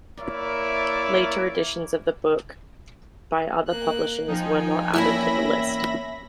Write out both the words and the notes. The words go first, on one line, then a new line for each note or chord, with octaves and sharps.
Later editions of the book by other publishers were not added to the list.
A#3 E4 A#4 C#5 D5 E5
A#3 F#6
F3 D#4 G5 G#5
E2 A#3 C#4 E4 E5 A5 B5 A#6